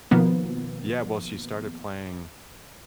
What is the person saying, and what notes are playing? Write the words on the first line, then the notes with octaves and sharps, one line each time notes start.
Yeah, well, she started playing
B2 D#3 F3 A#3 B3